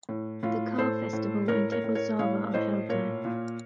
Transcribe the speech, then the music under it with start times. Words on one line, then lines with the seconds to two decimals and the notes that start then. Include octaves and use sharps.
The car festival and 'Teppotsava' are held there.
0.09 A2
0.43 A2 F4
0.78 A2 A4 C5
1.13 A2
1.48 A2 A#4 C#5
1.72 A#4 C#5
1.84 A2
1.95 A#4 C#5
2.19 A2 C#5 F5
2.54 A2 C5 D#5
2.89 A#2 A#4 C#5
3.25 A#2